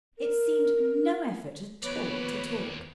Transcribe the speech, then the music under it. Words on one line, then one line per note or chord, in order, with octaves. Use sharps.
It seemed no effort at all to talk.
A#4
D#2 F3 B3 B4 C#5 D5